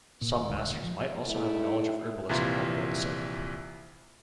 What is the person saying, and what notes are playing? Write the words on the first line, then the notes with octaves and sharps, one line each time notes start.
Some masters might also have knowledge of herbalism or bone-setting.
A#2
D#1
C#2
D#1
F3
G#2 A3 E4
A#1 C3 E3 E4 F4